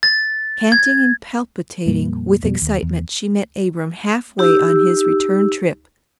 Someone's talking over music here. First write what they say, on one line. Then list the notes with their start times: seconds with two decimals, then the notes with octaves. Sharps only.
Panting and palpitating with excitement, she met Abram half-way on his return trip.
0.03 A6
0.72 G#6
1.86 F2 A#2 G3 A#3
2.43 F2 B2 G3
2.62 D#2
2.83 E2
4.38 D#4 G4 E6